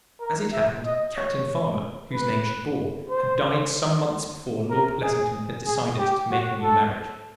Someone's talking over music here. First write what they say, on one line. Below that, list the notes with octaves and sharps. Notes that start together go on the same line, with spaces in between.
As it happened, Captain Farmer, whose name she bore, had died some months before Lord Blessington had decided to make a new marriage.
A#4
E5
D#5
C#5
B4
C5
A#4
G#4
G#4
G4
F#4
A4